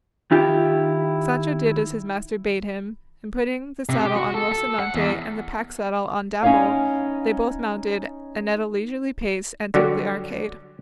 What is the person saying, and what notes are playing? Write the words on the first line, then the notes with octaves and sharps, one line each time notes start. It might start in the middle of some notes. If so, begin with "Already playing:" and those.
Sancho did as his master bade him, and putting the saddle on Rocinante and the pack-saddle on Dapple, they both mounted and at a leisurely pace entered the arcade.
D#3 E4 F4 G4
C3
G4
F#4
A4
A4
F#5
E2
C#4 D#4 E4 C#5 F5
D3 F#3 G3 F#4 G4